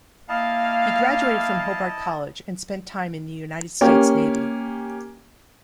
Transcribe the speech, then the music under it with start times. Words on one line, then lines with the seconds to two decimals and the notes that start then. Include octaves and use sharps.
He graduated from Hobart College and spent time in the United States Navy.
0.29 A#3 E4 D#5 F5 A5
3.81 A#3 C#4 G4